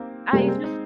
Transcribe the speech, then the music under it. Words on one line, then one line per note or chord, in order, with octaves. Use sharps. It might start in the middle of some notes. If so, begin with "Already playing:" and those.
I just
Already playing: A#3 C4 D#4 G4
C3 G3 G#3 A#3
C4
D#4